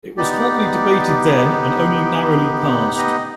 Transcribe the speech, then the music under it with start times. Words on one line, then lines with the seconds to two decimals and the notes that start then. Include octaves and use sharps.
It was hotly debated then, and only narrowly passed.
0.17 B3 D#4 G4 D5
2.99 D#5